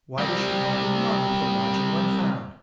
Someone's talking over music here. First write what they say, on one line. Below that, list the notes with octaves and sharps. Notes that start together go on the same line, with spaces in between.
Why did she fall in love with the lodging when found?
G3 C4